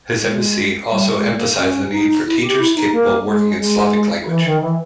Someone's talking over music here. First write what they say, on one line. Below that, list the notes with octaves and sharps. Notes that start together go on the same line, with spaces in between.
His embassy also emphasized the need for "teachers" capable of working in Slavic language.
G#3
G3
G#3
A#3
C#4
D#4
E4
G4
E4
D#4
A#3
G#3
G#3
E3
D#3
E3